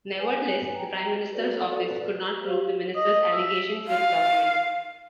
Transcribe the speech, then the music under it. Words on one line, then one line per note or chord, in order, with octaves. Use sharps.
Nevertheless, the Prime Minister's Office could not prove the minister's allegations with documents.
B4 G#5
G5 A#5
F#4 A4 B4 D5
G4 C5 F5
D#5
E5
F5